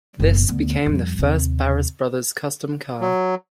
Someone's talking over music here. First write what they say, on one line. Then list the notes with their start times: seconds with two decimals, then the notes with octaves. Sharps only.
This became the first Barris Brothers custom car.
0.20 F#1 B2
0.49 D2 B3
0.86 F2 G3
1.19 D#2 C3
3.01 F#3